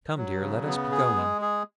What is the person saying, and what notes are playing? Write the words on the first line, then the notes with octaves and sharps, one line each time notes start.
Come, dear; let us be going.'
F#3
C#3
B3
G#4
G#3
G#4